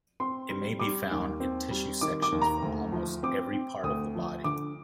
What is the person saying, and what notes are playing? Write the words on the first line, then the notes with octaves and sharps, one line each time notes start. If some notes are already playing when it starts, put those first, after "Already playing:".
It may be found in tissue sections from almost every part of the body.
C4 C6
G3
G3 D6
D#2
C4
G3
D#3 D6
D6
D#2
A#5
D2
F3
C4 D6
C4
D2 D#6
F3
D3 D6